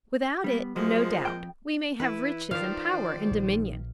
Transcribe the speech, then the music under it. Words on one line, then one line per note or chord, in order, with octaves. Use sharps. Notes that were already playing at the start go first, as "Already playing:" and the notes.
Without it, no doubt, we may have riches and power and dominion.
G3 B3
A#2 F3 F#3 G#3 A3
F2 G5
E3 E4 B4
D#3 F3 C5 D5 F5
A#1